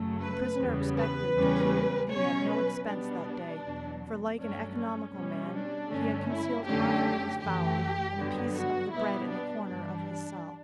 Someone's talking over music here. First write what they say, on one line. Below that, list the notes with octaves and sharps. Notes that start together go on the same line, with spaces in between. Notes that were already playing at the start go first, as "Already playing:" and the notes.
The prisoner expected that he would be at no expense that day, for like an economical man he had concealed half of his fowl and a piece of the bread in the corner of his cell.
Already playing: F#2 C#3 F#3 A3
B4
E2 C#3 G3 B3
B4
E2 C#3 G3 C#4
B2 F#3 C#4 C#5
B4
B2 G3 B3 D4
E2 B2 F#3
G2 F#3 A3 C#4 D4
C#4
B2 G3 C#4
D4
G2 D3 A3 C#4
E4
F#2 D3 A3 C#4 G4
F#2 E3 A3 G4
G2 D3 F#3 B3
F#4
B2 G3 B3 E4
D4
G2 E3 G3 D4